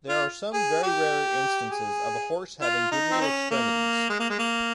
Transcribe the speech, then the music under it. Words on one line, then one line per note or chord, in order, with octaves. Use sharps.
There are some very rare instances of a horse having digital extremities.
F4
G#4
G4
G#4
F4
D#4
C4
C#4
A#3
G#3
A#3
G#3
A#3